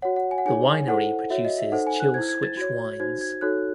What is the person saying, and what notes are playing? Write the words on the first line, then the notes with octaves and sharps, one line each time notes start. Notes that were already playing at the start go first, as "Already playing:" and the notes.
The winery produces Chill Switch Wines.
F#4 C#5 F#5
F#5
G#5
F#5
D#4 G#4 C#5 G#5
E4 A4 C5 F#5
F#4 C#5 E5
D#5
E5
D#4 A4 C5 F#5
G#5
F#6
E4 C5 G#6
G#6
A6
F#4 C#5 G#6
D#4 F#4 C5 G#6
G#6
D#4 F#4 A4 C#5 F#6